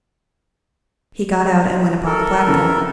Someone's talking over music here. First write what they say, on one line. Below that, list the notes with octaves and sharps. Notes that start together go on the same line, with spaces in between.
He got out and went upon the platform.
A4 A#4
F2 C#3 E3